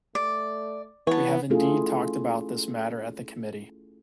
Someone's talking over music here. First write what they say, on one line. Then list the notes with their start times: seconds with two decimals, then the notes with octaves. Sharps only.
We have indeed talked about this matter at the committee.
0.15 A3 D5
1.07 E3 B3 C#5 A5
1.50 A3 C#4 E4 F4 G#4 A4